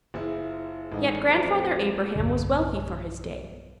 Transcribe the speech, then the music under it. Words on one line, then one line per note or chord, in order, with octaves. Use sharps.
Yet Grandfather Abraham was wealthy for his day.
F#1 E4 F4 G#4 C5
A1 G#2 A4 D#5 G#5
F2 F#3 A3 C4
E1 B1 G2 D3